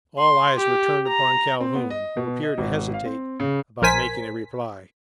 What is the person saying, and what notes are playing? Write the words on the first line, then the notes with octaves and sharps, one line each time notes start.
All eyes were turned upon Calhoun, who appeared to hesitate about making a reply.
C6
G4
A#5
C4
B3
D#5
B2
D#5
G#1
F5
C4
C#3
A#1 A#4 C5 G#5 B6